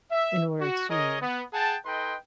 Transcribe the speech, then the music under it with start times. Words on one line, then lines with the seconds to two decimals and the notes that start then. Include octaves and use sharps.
in order to
0.11 E5
0.60 F#4
0.89 G#4 A#4 C#5 D#5
1.21 B3
1.53 G#4 F#5 G5 A5
1.85 D#4 A4 B4 D#5 G5 C6